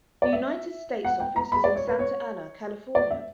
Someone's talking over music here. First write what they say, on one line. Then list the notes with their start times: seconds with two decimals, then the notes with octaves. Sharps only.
The United States' office is in Santa Ana, California.
0.22 D5
0.33 E5
1.04 F#5
1.20 G5
1.36 A#5
1.52 B5
1.64 D5
1.76 C#5
1.87 B4
1.99 C#5
2.95 D5
3.10 E5